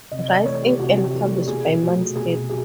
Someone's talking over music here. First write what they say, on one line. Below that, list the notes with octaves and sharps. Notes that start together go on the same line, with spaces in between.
Rice Inc and published by Mindscape.
C3 D#5
D5
E3 A3 C#5
G4
C3 F#4
F#4
G4
E3 A3
G4
B2 G#4
F#3 A3
B2 G#4
F#3 G#4